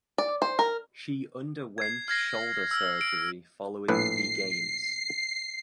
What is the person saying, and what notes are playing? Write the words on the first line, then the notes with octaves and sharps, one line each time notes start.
She underwent shoulder surgery following the Games.
D5
C5
A#4
G#6 C7
F6 G#6 A#6 C7
E6 F6
D7
A#1 A2 B4 C7